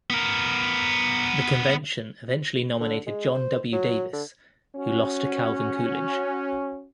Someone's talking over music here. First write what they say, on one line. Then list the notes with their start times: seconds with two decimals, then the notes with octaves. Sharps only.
The Convention eventually nominated John W. Davis, who lost to Calvin Coolidge.
0.10 B3 A#4
2.80 D3
3.07 G#3
3.34 C5
3.73 F#3
4.13 D3
4.76 C#4 F#4